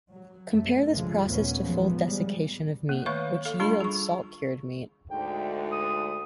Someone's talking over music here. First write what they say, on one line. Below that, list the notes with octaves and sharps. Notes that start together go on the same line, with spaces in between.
Compare this process to full desiccation of meat, which yields salt-cured meat.
F#3
F#2 A3
C#2 G2 D3 F3 G#3
D#2 A#2 F#3 A3 B3 C#4
A2 F3 F#3 G#3 B3
D#3 G3 G#3
A#3
D#3 A3 B4 C#5 F5 C#6
A4 F5
G3 D4 F4 B5
G#4 C#6
D2 G#2 G5
D#6